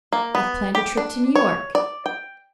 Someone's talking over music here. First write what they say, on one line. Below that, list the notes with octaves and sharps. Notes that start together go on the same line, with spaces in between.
"I've planned a trip to New York."
A#3
B3
G4
D4
C#5
D5
G5